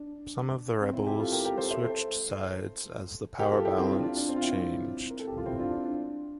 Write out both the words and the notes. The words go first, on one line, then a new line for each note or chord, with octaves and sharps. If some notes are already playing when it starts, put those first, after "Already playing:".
Some of the rebels switched sides as the power balance changed.
Already playing: D4
C4
C4 E4
E4 G4
F4 A4
G4 A#4
G4 A#4
A4 C5
C5 E5
A4 C5
G4 A#4
F4 A4
E4 G4
C4 E4
D4 F4
D4 F4
D4
C4
F4
C4 E4
A#4
A4
G4
F4
C4 E4
D4 F4
D4
D4